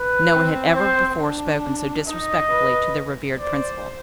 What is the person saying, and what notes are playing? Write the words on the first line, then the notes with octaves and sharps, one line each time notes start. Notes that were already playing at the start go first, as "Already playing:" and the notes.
No one had ever before spoken so disrespectfully to their revered principal.
Already playing: B4
C4
C5
D4
D#4 D#5
B4
C5 D5